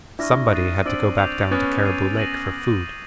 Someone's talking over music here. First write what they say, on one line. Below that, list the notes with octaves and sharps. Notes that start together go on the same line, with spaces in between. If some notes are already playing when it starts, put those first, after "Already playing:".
Somebody had to go back down to Cariboo Lake for food.
D4 E4 C#6 F6 A#6
D#6 F#6 A6 C7 D#7
C4 D4 E6 A6 D7 F#7
D6 G6 C7 F7
B3 C#4 D#6 F#6 A6 D7
G#6 C7 D#7
A#6 D#7 F#7